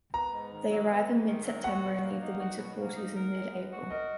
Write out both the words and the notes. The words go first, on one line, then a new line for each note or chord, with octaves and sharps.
They arrive in mid-September and leave the winter quarters in mid April.
B3 A#5
G#2
D#3
F#3
B3
G#2
D#3
F#3
F#4 F#5
B2
A#3
D#4
F#4
B2
A#3
D#4
A#4
G#3
B3
F#4
A#4 D#5